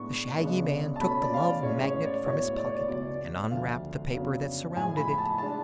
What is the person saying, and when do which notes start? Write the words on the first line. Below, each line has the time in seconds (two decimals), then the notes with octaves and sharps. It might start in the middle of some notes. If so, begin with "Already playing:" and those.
The shaggy man took the Love Magnet from his pocket and unwrapped the paper that surrounded it.
Already playing: A2 G#3 B3 D4 C#6
0.38 C#2 C#3 G#3 B3 D4
0.96 A5
1.01 B2 A3 C#4 B5
1.21 D5
1.34 F5
1.43 D5
1.63 A2 G#3 C#4 C#5
1.84 C#5
2.05 D5
2.26 A2 F#3 B3 C#5
2.57 D5
2.65 C#5
2.74 D5
2.88 C#2 B2 F#3 B3 D5
3.51 D2 D3 F3 F5
4.14 F2 C#3 F#3 B3 D4
4.76 A2 F3 G#3 G#5
4.97 B5
5.18 A5
5.38 G#3 D4 A5